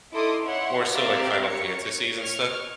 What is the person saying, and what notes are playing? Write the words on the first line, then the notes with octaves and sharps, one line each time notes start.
more, so, like, Final Fantasies and stuff.
D#4 E4 A4 C6 D6 D#6
E4 C#5 E5 F#5 C6
C4 G4 A#4 D5 E5 F5
A#4 C#5 C#7
C#5 C#6 F6